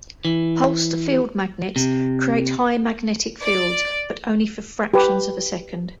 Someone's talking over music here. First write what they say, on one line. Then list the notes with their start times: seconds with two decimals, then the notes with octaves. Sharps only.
Pulsed field magnets create high magnetic fields, but only for fractions of a second.
0.25 E3
1.76 C3
3.42 D5
4.94 G4 B4